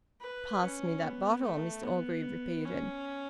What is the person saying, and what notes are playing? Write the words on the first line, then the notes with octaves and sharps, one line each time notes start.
"Pass me that bottle," Mr Orgreave repeated.
B4
C#4
B3
A3
B3
C#4